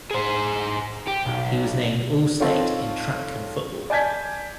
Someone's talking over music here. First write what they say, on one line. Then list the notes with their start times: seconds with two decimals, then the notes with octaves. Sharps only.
He was named All-State in track and football.
0.11 G#4 C5
1.08 G4
1.26 B1
2.40 C4 D#4 F4 A4 C#5
3.90 D5 G#5 A5 G6 G#6 B6